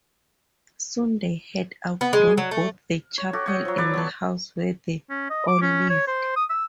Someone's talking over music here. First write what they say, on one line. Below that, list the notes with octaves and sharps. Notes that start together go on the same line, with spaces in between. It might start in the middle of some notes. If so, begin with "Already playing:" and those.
Soon they had outgrown both the chapel and the house where they all lived.
B3
G#3
F#3
A3
C#5
F#4 G4 A4
C#5 D#5 F#5 G5
F3 F#3
B4 C#5 D5
B3 A5
C#4
D#5
D6
C#4
C#5
C5
D#6
E6